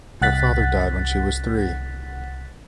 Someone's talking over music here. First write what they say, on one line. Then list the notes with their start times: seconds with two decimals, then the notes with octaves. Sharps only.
Her father died when she was three.
0.22 C2 F#5 F#6 A6 B6